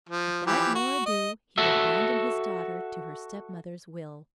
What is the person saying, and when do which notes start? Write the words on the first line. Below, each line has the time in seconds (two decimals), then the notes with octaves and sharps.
Without more ado, he abandoned his daughter to her stepmother's will.
0.09 F3
0.47 E3 F3 G4
0.75 F#4
1.06 D#5
1.58 F#4 A4 E5